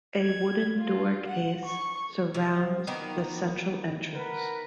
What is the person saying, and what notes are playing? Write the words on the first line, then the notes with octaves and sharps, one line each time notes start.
A wooden door case surrounds the central entrance.
G#6
F4
F#5
C#6
C3 F3
D#3 A#3 B3
A#4 B4 F#5